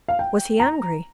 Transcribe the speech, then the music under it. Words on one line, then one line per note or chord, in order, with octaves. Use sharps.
Was he angry?
F5
G5
A#5